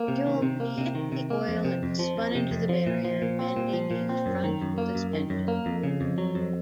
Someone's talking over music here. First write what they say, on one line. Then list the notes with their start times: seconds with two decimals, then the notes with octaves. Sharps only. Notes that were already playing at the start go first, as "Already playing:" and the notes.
Hulme hit the oil and spun into the barrier, bending his front suspension.
Already playing: A#3
0.08 C3
0.26 D#3
0.42 C3
0.60 A#3
0.78 C3
0.95 D#3
1.12 C3
1.30 A#3
1.48 F2
1.65 C3
1.83 F2
1.99 F3
2.17 F2
2.35 C3
2.51 F2
2.69 F3
2.87 A#2
3.05 F3
3.22 A#2
3.39 C4
3.56 A#2
3.73 F3
3.91 A#2
4.09 C4
4.26 F#2
4.44 D#3
4.62 F#2
4.78 A#3
4.95 F#2
5.13 D#3
5.30 F#2
5.48 A#3
5.66 F2
5.83 C#3
6.01 F2
6.18 F#3
6.35 F2